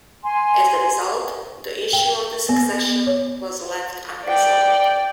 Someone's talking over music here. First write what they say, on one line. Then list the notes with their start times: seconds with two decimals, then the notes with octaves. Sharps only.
As a result, the issue of the succession was left unresolved.
0.23 G#5 C6
1.93 G5
2.49 B3
3.07 C#5
4.25 D5 G5